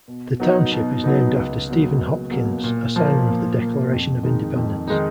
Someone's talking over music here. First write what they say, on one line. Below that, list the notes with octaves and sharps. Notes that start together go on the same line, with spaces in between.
The township is named after Stephen Hopkins, a signer of the Declaration of Independence.
B2
F#3 B3 D#4
B2
F#3 B3 D#4
C#2
B2 F#3 A#3
C#2
B2 F#3 A#3
A#2
F3 A#3
A#2
F3 A#3
F2
D#3 G#3 D#4
F2
D#3 G#3 D#4